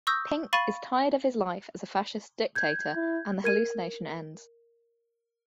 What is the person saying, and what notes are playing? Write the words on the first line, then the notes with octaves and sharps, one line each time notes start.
Pink is tired of his life as a fascist dictator and the hallucination ends.
C#6 D#6 E6 G6 A#6
F5 B5 C#6 A6 D#7
G6 G#6
E4
A#4 G#6 D#7